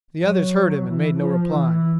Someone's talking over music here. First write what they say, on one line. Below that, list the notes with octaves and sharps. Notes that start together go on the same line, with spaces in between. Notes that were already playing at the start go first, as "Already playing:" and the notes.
The others heard him and made no reply.
F#3
E3
F3
E3